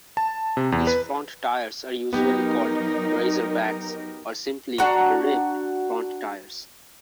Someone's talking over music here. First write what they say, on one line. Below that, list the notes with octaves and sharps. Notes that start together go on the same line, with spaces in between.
These front tires are usually called "razorbacks" or simply "ribbed" front tires.
A5
C3
E2
B4
F#3 B3 D#4 G4 A#4
D4 F#4 A#5